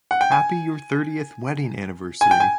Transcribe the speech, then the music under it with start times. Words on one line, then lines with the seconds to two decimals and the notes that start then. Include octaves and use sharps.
Happy your thirtieth wedding anniversary!
0.11 F#5
0.21 G5
0.32 G#5
2.21 G#5
2.31 G5
2.40 G#5